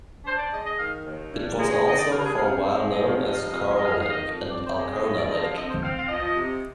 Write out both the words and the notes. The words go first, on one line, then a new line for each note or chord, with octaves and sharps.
It was also for a while known as "Coral Lake" and "Alcona Lake".
D4 C5
D5
G#3 D#5
D#5
D#3 F5
D#2
G2
G#3
D#3 D#5
D5
G2 A#4
G#4
C3 F5
G#3
F3 D#5
F5
C3
D#5
F5
F2 D#5
F5
D#5
G#3 F5
D#5
F5
D#5
D#3 F5
D#5
F2
C4 D5
C5
G#3 D5
D#5
F3 D#5
D5
D3 D#5
F5
C3 D#5
C5
C4 F5
F5
F3 D#5
C3